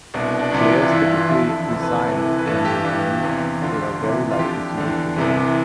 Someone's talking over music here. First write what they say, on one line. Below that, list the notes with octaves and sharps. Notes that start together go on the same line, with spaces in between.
Players typically resign when they believe they are very likely to lose the game.
C2 B2 D4
D4
C2 C3 E3
F4
G2 E3 E4
F4
F2 D3 E4
A4
D2 C3 E3 A4
B4
A4
C2 C3 E3
B4
G2 E3 A4
G4
G2 E3
E2 C3 E3
D2 D3 F4
G4
C2 C3 E3
F4
F2 D3 G4
E2 D3
C2 C3 E3